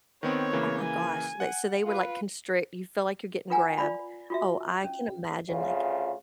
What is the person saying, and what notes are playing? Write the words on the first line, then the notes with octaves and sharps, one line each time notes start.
oh my gosh, like, so they would, like, constrict You feel like you're getting grabbed. Oh, I can imagine, like
D#3 B3 C4 C#5
C#3 E3 A#3
G#5
F#5
F4 B4
F4 B4 F#5 G#5 A#5
F4 D5 B5
F4 F#4 E5
C#4
D2 C#3 F4